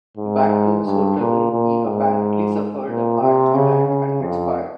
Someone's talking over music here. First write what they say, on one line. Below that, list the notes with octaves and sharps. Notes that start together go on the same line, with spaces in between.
Back to his hotel room he apparently suffered a heart attack and expired.
G#2
G2
A#2
A#2
G#2
A#2
C3
C#3
C#3
F2